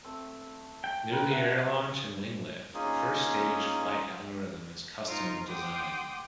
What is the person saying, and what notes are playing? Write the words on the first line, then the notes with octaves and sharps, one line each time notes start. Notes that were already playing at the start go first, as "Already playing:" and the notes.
Due to the air launch and wing lift, the first-stage flight algorithm is custom-designed.
A3 C4
G5
F4 A#4 B4
E5 F#5 A5
A#3 C#4 D#4 F4 G#4
D#4 F4 A#4 C5
F#5 G5 C6 D6 D#6